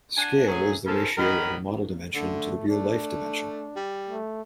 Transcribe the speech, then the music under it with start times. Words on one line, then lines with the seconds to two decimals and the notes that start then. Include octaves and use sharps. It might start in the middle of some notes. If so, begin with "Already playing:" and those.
Scale is the ratio of a model dimension to the real life dimension.
0.16 D4 F#5 G#5
0.47 F#3 A3 C#4 G#4
0.86 C#3 F3 A4 A#4 A5
1.17 D#3 F#3 A#4 D#5 B5
2.14 D3 A3
2.68 A3 D4
3.76 G3
4.09 A3